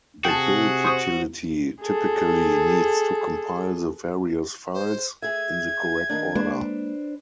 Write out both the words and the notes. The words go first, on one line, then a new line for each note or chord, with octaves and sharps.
The build utility typically needs to compile the various files, in the correct order.
C3 F#4 G#4 G5 A5
C5 C#6 D#6
G#4 A4
C5
G#4 E5 G#6
D#3 A#3 D4
G#3 A#3 D4 B4 C5